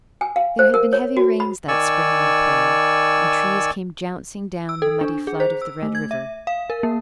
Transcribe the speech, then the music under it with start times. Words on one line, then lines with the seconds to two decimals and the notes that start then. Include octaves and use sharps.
There had been heavy rains that spring on the prairie, and trees came jouncing down the muddy flood of the Red River.
0.21 G#5
0.36 F5
0.59 C5
0.74 A#4
0.93 C#5
1.17 F#4
1.40 B5
1.68 D#3 D5 G#5 C#6 E6
4.69 E6
4.82 A4
5.01 D4
5.27 G#4
5.40 C5
5.62 E6
5.83 A3
5.95 G#6
6.11 E5
6.47 F5
6.70 A#4
6.83 A#3